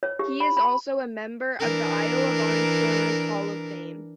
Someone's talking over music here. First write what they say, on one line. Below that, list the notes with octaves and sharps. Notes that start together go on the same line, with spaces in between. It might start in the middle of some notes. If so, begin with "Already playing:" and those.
He is also a member of the Iowa Barnstormers Hall of Fame.
C#5
G4
B5
B5
E3 D4 A#4